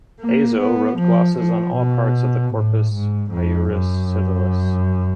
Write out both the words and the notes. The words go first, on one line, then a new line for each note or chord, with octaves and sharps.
Azo wrote glosses on all parts of the Corpus Iuris Civilis.
A#3
B3
F3
F3
B2
A2
G#2
F2
F#2